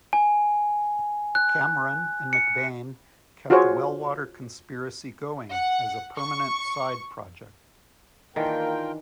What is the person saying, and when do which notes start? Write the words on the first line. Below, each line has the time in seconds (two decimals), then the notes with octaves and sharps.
Cameron and McBain kept Wellwater Conspiracy going as a permanent side project.
0.13 G#5
1.35 F#6
2.33 C#7
3.50 F4 F#4 G#4 C5 C#5
5.51 F#5
6.19 C#6
8.36 D#3 E3 A#3 D4 F4 A#4 G5